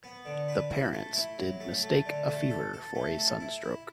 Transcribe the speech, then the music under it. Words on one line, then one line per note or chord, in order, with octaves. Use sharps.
The parents did mistake a fever for sunstroke.
B3
D3
B4
E4
A3
E4
F#3
A3
A3
D3
A3
A4
A4
A3
A4
E4
E4